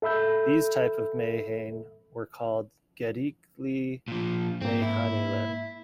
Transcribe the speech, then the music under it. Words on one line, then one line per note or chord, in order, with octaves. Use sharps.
These type of meyhane were called "Gedikli Meyhaneler".
A4 E5 B5 E6 G6
A#2 F3
G#2 A#3 C4
E4